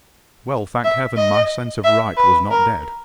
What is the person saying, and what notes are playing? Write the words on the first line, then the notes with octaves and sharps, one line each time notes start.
Well, thank Heaven! my sense of right was not dead.
E5
D#5
E5
B4
A#4